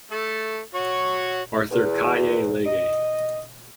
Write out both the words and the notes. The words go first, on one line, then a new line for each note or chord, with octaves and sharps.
Arthur Kaye Legge.
A3 A4
F#4 C#5
E2
D#5